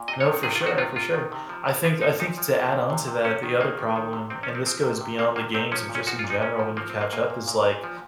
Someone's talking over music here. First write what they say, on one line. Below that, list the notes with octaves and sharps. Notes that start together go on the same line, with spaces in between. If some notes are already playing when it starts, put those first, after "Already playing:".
No, for sure, for sure. I think I think to add on to that, the other problem, and this goes beyond the games, but just in general, when you catch up is like,
Already playing: A#2
C3 D#5
C#5
D#3
C3 G#4
F4
D#3
F#4
C3 F4
C3 F4
D#3
C3
F3
F3
F3 F4
F3 D#4
A#2 D#4
F3
A#2
A#2
C3
C3
C3 C#4
D#3
D#3 A#3
D#3
D#3
C3
C3 C4
C#4
F3
C4
F3 C4
C3
C3
C3 A#3
C3 A#3
C3 C4
F3 C#4
A#2
C#4
F3 F#4
F4
A#2
D#4
A#2 C#4
F3
F3 A#3
C4
A#2
A#3
A#2 A#3
A#2
A#2
A#2
F3